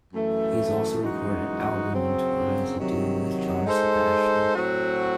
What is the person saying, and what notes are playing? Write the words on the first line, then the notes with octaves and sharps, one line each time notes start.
He has also recorded an album and toured as a duo with John Sebastian.
F#2 E3 A3
F#2 E3 G#3 D#4 F#4
F#2 C#3 F#3 C4
C3 D#3 F#3
G#3 D#4 A4 C5
A2 F#3 C4 F#4